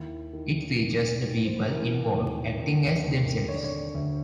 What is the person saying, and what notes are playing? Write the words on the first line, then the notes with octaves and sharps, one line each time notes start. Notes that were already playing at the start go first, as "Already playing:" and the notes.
It features the people involved, acting as themselves.
Already playing: D#2 E4
D#3
D#3
D#3
C5
B4
E3 A#4
D#2
D#2
D#2
D3 C#5
D5
C#5
D2